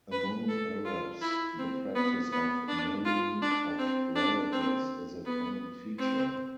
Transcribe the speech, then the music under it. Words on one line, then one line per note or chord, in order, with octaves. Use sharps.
Among Arabs the practice of marrying of relatives is a common feature.
B4
A4
F4
E4
C4
B3
B3
D4
F4
D4
C4
D4
C4
B3
C4